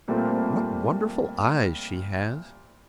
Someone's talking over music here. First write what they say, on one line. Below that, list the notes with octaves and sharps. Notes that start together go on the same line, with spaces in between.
What wonderful eyes she has.
A#2 G3 A3 A#3 C4